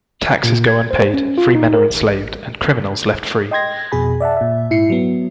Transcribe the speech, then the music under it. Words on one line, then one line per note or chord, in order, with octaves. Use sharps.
Taxes go unpaid, free men are enslaved, and criminals left free.
A#2
G#6
C5
C#4
F4
D#4
A#4
A1
D#5 G5 C6 G#6 A#6
F2 B2 G#4 G#5 B5
D5 E5 F#5 A5
A#2 E5
G#2 E4 C7 C#7
F#3 B3